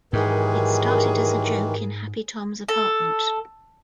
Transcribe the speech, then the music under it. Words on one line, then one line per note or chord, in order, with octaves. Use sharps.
It started as a joke in Happy-Tom's apartment.
G#2 D#3 E3 F#3 G4 G#4 A#4
A4